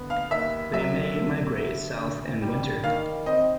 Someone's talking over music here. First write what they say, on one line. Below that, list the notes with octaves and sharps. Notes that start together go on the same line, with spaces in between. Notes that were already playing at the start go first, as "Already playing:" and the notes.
They may migrate south in winter.
Already playing: D3 B3
F5
D#2 E5
F#3 E5
D3
B3
D2
G3
D#3 F5
C4 D#5